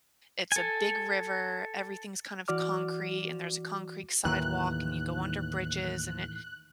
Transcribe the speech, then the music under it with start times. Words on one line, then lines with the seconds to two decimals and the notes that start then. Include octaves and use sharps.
It's a big river. Everything's kind of concrete, and there's a concrete sidewalk, and you go under bridges, and it
0.52 A4 G#5
2.48 E3 F#4 D5 D6 F6
4.25 D#2 A2 D#3 E3 F#6